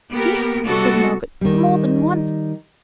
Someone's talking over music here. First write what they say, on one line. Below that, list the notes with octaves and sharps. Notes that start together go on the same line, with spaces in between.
'Yes,' said Margaret, 'more than once.
A#3 B3 G4 A#4
C3 G3 B3 D4 F#4 A4
D#3 G3